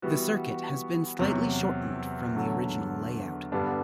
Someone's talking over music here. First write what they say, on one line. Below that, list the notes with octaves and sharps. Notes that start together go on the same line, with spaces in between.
The circuit has been slightly shortened from the original layout.
E3 G3 B3 F#4
E2 C3 F#3
E2 D3 F#3
G2 D3 G3 B3 D4